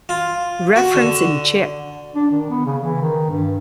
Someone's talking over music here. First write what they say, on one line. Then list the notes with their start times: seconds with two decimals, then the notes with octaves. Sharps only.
Reference in Czech.
0.09 F4
0.76 F#4
0.95 D3
2.15 D4
2.31 D#3
2.50 B3
2.66 C#3
2.83 E3
3.02 D#3
3.30 G2